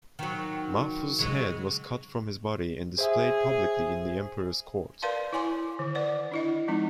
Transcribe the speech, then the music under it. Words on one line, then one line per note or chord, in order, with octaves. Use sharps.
Mahfuz's head was cut from his body and displayed publicly in the Emperor's court.
D#3 F#3
C#3 F#3 G#3
G#4 C5 E5 G#5
A#4 B4 D5 F5 A5 C6
E4 C#5 G#5 C6 D6
D3 D#3
B4 D5 F#5
D4 E4 D#5
F3 G#3 C4 D#4